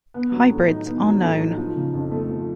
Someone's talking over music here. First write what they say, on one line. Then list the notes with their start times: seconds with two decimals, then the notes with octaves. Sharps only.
Hybrids are known.
0.14 B3
0.32 F#3
0.50 A2
0.67 D#4
0.86 B3
1.03 F#3
1.21 A2
1.40 D#4
1.57 F3
1.76 C#3
1.94 F2
2.12 A3
2.29 F3